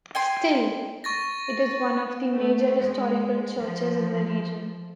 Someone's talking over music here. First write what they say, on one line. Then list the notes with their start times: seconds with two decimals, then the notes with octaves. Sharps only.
Still, it is one of the major historical churches in the region.
0.15 G5 G#5 C6
1.04 C#6 A6 A#6
2.35 A3
2.80 G#3
3.62 F3